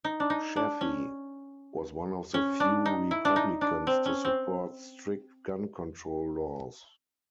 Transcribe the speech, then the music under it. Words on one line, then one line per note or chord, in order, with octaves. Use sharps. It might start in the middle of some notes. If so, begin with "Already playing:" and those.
Chafee was one of the few Republicans to support strict gun control laws.
D#4
D4
D#4
D4
C#4
C#4
D4
D#4
E4
D4
D#4
D4
C4
C#4
C4